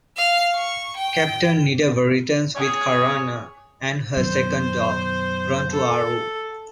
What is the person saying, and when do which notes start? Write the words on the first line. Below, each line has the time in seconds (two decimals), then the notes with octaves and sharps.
Captain Nidever returns with Karana and her second dog, Rontu-Aru.
0.17 F5
0.55 C#6
0.96 G5
2.56 G#4 C#5
4.17 F#2 B2 D#3 C5
5.71 A4